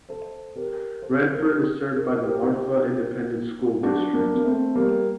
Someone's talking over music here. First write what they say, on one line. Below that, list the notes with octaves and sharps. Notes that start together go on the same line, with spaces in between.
Redford is served by the Marfa Independent School District.
A4 C5
G4 A#4
A4 C5
A#4
A4
G4 A#4
A#4
C5
G4 A#4
D#4 G4
D4 F#4
A#3 D4
A#3
A3 C4
G3 A#3